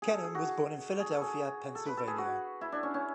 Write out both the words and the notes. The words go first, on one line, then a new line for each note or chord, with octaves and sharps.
Kennan was born in Philadelphia, Pennsylvania.
G#4
A4
G#4
F#4
G#4
A4
G#4
A4
B4
A4
G#4
F#4
E4
D4
C#4
C#4